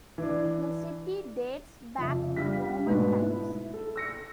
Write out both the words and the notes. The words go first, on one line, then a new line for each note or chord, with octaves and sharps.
The city dates back to Roman times.
E3 D4
F2 C#3 E5
G3 D4 F5 B6
G#2 B2 A3 B3 D4
E4
A4
E6 A#6 C#7